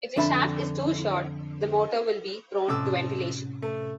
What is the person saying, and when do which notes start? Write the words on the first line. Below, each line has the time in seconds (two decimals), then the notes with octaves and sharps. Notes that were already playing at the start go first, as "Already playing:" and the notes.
If the shaft is too short, the motor will be prone to ventilation.
0.16 F2 D3 D4 E5 A5 B5
2.68 F2 A2 C3 C#4 D6 E6
3.62 A3